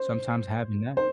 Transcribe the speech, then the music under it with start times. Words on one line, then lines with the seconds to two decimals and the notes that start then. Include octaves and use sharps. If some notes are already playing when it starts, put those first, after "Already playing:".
sometimes having that
Already playing: C5
0.97 C5